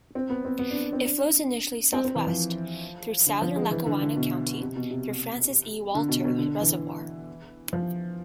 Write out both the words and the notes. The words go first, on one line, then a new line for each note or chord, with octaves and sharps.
It flows initially southwest, through southern Lackawanna County, through Francis E. Walter Reservoir.
C4
B3
C4
B3
D4
D4
C4
D4
C4
C4
E3
F3
D3
F3
G#3
E3
D3
D3
B2
C3
B2
C3
D3
B2
B2
D3
E3
F3